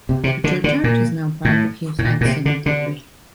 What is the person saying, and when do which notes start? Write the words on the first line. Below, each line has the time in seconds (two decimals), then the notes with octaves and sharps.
The churchyard is now part of Hillside Cemetery.
0.09 C3
0.24 C3
0.44 D3
0.64 D3
0.84 A#2
1.45 A2
1.99 A2
2.05 A#2
2.21 A#2
2.25 C3
2.46 D3
2.66 D3